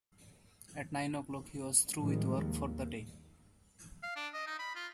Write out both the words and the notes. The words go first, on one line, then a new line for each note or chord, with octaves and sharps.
At nine o'clock he was through with work for the day.
A2 D#3 F3 G3 G#3
D#2
F5
D4
D#5
D#4
B5
F4